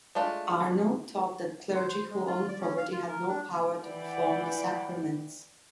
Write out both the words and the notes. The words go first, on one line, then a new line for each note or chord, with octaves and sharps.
Arnold taught that clergy who owned property had no power to perform the Sacraments.
G#3 A3 D4 F4
C5
C5
G#3
F4
D5
C#4
F5
F4
A#4
D4
E3 E4 D5 F#5 G5